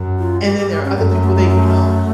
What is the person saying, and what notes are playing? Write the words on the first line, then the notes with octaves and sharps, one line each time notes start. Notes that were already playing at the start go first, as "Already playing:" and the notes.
and then there are other people they you know,
Already playing: F#2
F4
G2 G4
G4
G4
C#4
F#2 A3
A3
A3
G#3
A3